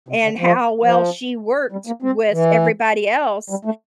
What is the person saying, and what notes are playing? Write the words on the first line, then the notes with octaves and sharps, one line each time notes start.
and how well she worked with everybody else
C3
D3
F3
F3
G3
A#3
C4
E3
G3
A3